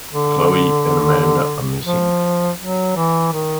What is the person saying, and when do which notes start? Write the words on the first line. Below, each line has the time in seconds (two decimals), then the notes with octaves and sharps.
Chloe and Amanda are missing.
0.12 D3
1.84 F3
2.59 F#3
2.96 E3
3.33 D#3